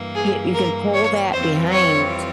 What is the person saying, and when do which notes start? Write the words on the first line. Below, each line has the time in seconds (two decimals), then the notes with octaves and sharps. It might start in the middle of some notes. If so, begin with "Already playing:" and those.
yeah, you can pull that behind.
Already playing: G2 E3 A#3
0.15 G#4
0.54 A#4
0.94 C#5
1.33 F2 E3 G3 C4 F4 C5
1.72 C#5